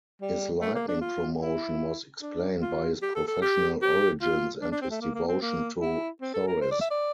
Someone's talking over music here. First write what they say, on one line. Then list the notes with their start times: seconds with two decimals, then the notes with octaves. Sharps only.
His lightning promotion was explained by his professional origins and his devotion to Thorez.
0.21 G3
0.61 A3
0.75 A#3
0.88 D4
1.01 F4
1.41 E4
2.22 D4
2.62 F4
3.02 G4
3.15 A4
3.28 A4
3.42 G4
3.82 G4
4.22 F4
4.61 D4
4.72 D4
4.81 C4
4.91 A3
5.01 A#3
5.14 A#3
5.28 C4
5.42 A#3
5.81 E4
6.21 C4
6.34 A4
6.47 A#4
6.62 C5
6.71 D5
6.81 E5
6.90 D5